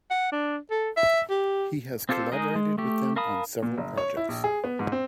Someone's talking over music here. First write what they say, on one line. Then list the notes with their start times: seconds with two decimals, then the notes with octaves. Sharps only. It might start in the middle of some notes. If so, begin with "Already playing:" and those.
He has collaborated with them on several projects.
0.10 F#5
0.32 D4
0.71 A4
0.97 E5
1.30 G4
2.09 C4 F4 G4 A4 C5
2.32 G#3 D#4 G#4 A#4 D#5
2.55 G#3
2.78 A3 G4
3.16 A#4 F5 A5 B5 D#6
3.63 A#2
3.78 F#1
3.98 C#5
4.17 E4
4.29 A#1
4.44 G#4
4.64 B3
4.79 G#2
4.92 C4